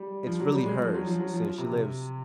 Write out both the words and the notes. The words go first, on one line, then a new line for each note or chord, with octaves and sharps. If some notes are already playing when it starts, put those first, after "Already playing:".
it's really hers since she lives
Already playing: G3
F3
F#3
G3
G#3
F3
F#3
F3
F#3
F3
C3